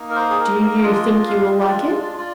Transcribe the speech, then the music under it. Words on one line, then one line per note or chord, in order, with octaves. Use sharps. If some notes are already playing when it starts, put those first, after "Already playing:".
"Do you think you will like it?"
Already playing: A#3 D#4
A#4
C5
G#4
A#4
A#4
G#3 D4 F4 D#5
D#5
F5
D#5
C5
D5
D5
D5
F4 D5